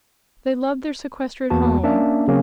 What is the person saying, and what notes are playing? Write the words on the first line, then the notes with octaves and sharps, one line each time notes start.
They loved their sequestered home.
E2 A#3 B3 F#4 A5
A#3 C#4 D4 E5
C#3 F#3 A#3 C4 C#4